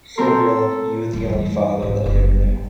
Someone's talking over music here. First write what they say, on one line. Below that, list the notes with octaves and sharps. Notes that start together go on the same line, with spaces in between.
For real, you the only father that I ever knew.
C4 A4 A#4 C6
F2 D#3
E2 G2
G#1 C#4
F#1 B3